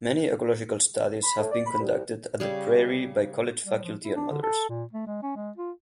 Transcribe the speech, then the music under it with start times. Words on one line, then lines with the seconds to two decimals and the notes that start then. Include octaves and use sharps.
Many ecological studies have been conducted at the prairie by college faculty and others.
1.24 B5
1.38 A2
1.51 D5
1.66 B5
1.79 C2
2.40 C#3 G3 G#4
3.65 G3
3.83 F3
4.04 E4
4.16 D4
4.31 D3
4.43 A4
4.69 A#2
4.93 A3
5.07 G#3
5.22 C#4
5.36 G#3
5.57 F4